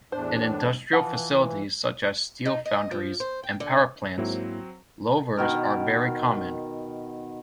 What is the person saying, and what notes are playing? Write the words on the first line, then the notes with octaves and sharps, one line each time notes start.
In industrial facilities such as steel foundries and power plants, louvers are very common.
E2 A2 D4 C5
E3 F3 F#5
D#4
D#5
F3
C5
G5
D3
G#2 F#3 A#3 C4 E4
B2 D#3 A#4